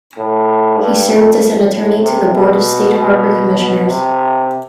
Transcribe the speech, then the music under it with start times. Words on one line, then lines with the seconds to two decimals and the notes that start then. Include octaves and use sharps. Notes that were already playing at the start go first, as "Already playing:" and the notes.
He served as an attorney to the Board of State Harbor Commissioners.
0.17 A2
0.79 G2
1.09 F2
1.40 F2
1.71 A2
2.02 C3
2.33 B2
2.95 B2
3.57 B2
3.88 C3